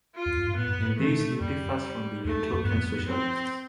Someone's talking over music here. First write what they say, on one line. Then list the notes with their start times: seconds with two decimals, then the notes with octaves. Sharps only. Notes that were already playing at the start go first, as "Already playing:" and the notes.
In this he differs from the Utopian Socialists.
0.15 F4
0.26 E2
0.36 F2
0.47 G2
0.57 A2 B3
0.68 G2
0.78 G2
0.88 A2
0.99 E3 A3
1.09 C3
1.20 B2
1.40 F2 G3
2.25 E2 A3
2.53 F2
2.65 G2 B3
2.76 F2
3.09 C4